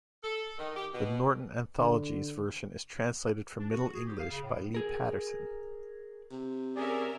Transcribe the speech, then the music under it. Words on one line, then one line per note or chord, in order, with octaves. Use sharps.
"The Norton Anthology"'s version is translated from Middle English by Lee Patterson.
A4
D#3
G4
B2
D3
D4
F#4
G#4
G4
F5
C#3
A2
G#4 A#4
C3
C#4 G#4 A#4 D5 E5